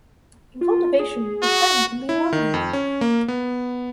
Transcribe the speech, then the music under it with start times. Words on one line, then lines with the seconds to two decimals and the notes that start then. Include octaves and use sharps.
In cultivation the stem can be longer.
0.61 F4
0.99 G#4
1.42 F#4
2.09 E4
2.33 D#3
2.54 F2
2.73 C#4
3.01 A#3
3.28 B3